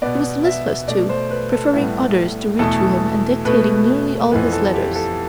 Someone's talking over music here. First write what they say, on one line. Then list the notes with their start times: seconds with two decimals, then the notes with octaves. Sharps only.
He was listless too, preferring others to read to him and dictating nearly all his letters.
0.02 B2 B3 D5
0.45 E5
0.87 B2 A3 D5
1.09 C5
1.30 B4
1.52 A4
1.73 A2 G3 B3
2.59 E2 B2 A3 A4
3.45 B2 A3 B4
4.31 F2 E3 B3 B4
4.53 A4
4.74 G4
4.95 A4